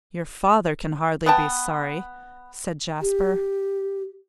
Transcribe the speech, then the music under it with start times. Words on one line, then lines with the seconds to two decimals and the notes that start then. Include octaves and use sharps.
'Your father can hardly be sorry,' said Jasper.
1.26 B3 G5 A5
3.02 G4